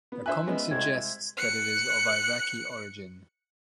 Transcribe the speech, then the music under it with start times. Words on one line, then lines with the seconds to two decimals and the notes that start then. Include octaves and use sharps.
A comment suggests that it is of Iraqi origin.
0.12 B3
0.26 D4 C5 E5 G#5 F#6
0.47 G#3 B3 C#4
0.71 C2 G#3 C4 G#6
1.37 F#6 C#7